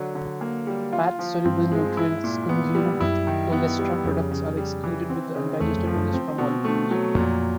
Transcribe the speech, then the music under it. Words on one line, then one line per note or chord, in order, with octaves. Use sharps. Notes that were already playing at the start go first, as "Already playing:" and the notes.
Fat-soluble nutrients consumed with olestra products are excreted with the undigested olestra molecules.
Already playing: D3 F#3
D3
A#3
G3
F4
F3
G2 C4
G#3
E4
A#2
B3
G3
F#2 E4
D#3
B3
G3
F2 C#3
C#3
G3
E3
C4
C#3
E2 A3
F2
F3
F#2
C4
B2
A3
F#3
F2 A#2